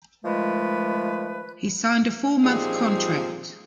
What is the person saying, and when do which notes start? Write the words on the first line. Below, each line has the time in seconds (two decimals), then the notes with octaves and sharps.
He signed a four-month contract.
0.24 D#3 F3 G#3 A3 B4
2.44 A#2 F3 G3 C4 D#4 G#4